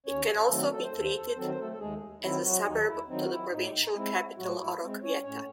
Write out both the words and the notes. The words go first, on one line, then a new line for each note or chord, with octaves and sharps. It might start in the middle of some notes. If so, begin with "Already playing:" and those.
It can also be treated as a suburb to the provincial capital Oroquieta.
D#2 C#4 C#5
D#3 F#3 A3 C4 A4
A4
C5
D#2 A4
C5
A4
C5
D#3 F#3 C4 A4
C5
A3 A4
A4
D#2 G#3 G#4
D#3 F#3 C4 E4
F#3 F#4
D#2 D#4
E4
D#3 F#3 C4 D#4
F#4
E4
A2 D#4
G#3 C4 E4
A2 F#3 F#4
E4
G#3 C4
C#4 C#5
A2 C#4 C#5